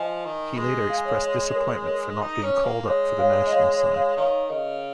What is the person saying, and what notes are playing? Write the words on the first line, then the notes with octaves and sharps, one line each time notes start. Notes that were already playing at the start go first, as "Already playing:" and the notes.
He later expressed disappointment for not being called up for the national side.
Already playing: F3 D#5 G#5
D#3
G#3
F5
G#5
C#5 F5
C#5
C#5
A#4
C#5
A#4
D#4
C#4
A#3
G#3 C#5
C#5 F5
D#5
C#5 F5
C#5
C#5 F5
D#3 C#5 F5
C#3 A#4 D#5